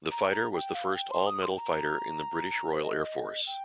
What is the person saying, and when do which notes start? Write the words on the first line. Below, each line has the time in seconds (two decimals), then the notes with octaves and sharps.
The fighter was the first all-metal fighter in the British Royal Air Force.
0.11 A#5
0.28 G5
0.32 A#5
0.53 G5
0.74 F5
0.95 G5
1.11 C6
1.26 D#6
1.42 C6
1.50 G5
1.58 A#5
2.73 C5
2.84 D#5
3.47 G5